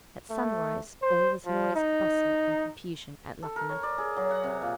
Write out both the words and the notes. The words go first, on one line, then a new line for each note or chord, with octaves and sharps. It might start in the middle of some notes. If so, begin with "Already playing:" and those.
At sunrise all was noise, bustle and confusion at Luckenough.
A3
C5
F3
D#4
A4
A#4
C#5
D5
G#4
F#3
F#5
C3
A#2